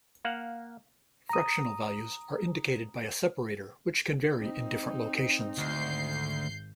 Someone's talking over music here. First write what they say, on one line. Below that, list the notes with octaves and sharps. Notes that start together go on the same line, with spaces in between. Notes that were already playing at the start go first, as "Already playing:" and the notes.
Fractional values are indicated by a separator, which can vary in different locations.
A#3 F5 F#5
A#5 D#6
C4 D#4
G#1 D2 G6 C7